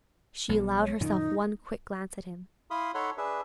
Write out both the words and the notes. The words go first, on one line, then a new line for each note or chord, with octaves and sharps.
She allowed herself one quick glance at him.
B1
C#5
F#2 A#2 D#3 D#4
E4 F5 B5 C6 D#6
D#4 A4 C#5 F#5 B5 C6
D4 G#4 B4 E5